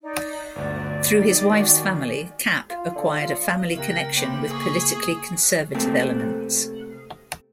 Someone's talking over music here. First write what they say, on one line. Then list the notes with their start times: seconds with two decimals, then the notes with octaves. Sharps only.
Through his wife's family, Kapp acquired a family connection with politically conservative elements.
0.02 D#4 D5
0.56 G1 D2 D5
1.17 G3 D#4
1.52 D#3 F#4 G#5
2.70 F4
2.96 D3
3.21 F4
3.76 C#3 B3 G4 A#4 E5 F#6
4.17 A#3 G4 B4 C5 G5 D6
4.50 G#4 C#6
4.84 D#6
5.74 C3 A3 A#3 C4